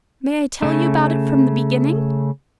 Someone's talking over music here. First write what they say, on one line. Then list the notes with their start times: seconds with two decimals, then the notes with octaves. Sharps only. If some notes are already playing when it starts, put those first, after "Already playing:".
'May I tell you about it from the beginning?'
0.62 C#3 A3